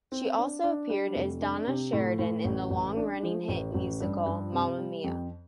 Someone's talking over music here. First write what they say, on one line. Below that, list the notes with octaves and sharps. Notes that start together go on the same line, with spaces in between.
She also appeared as Donna Sheridan in the long-running hit musical, "Mamma Mia!".
C4
D4
D4
G3
F1
D4
C3
A2
A2
A1
A1
D4
F3
A1
A1
G2
G2
C3
G3
F2